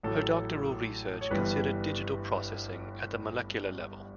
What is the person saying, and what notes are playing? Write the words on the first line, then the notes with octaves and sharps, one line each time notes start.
Her doctoral research considered digital processing at the molecular level.
A1 A2 F#3 A4
C#5
G1 G2 E3 G3 B4